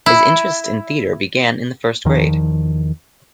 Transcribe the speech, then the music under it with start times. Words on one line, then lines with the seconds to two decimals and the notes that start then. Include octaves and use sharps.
His interest in theatre began in the first grade.
0.06 E4
2.05 E2 D#3 F3